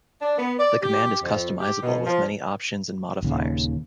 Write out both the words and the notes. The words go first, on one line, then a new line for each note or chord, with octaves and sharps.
The command is customizable with many options and modifiers.
D4
B3
D5
G4
F2
G4
B2
F3
D#1 D#2 C#3